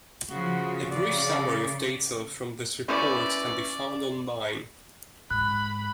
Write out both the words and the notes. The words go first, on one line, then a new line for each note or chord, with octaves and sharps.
A brief summary of data from this report can be found online.
C#3 F3 F#4
C#3 D5
C#4 E4 B4 D5
G#2 B5 F#6